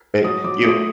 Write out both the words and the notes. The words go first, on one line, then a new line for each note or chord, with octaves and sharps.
eh you
F#3 D#6
F#3 D6
A3 D#6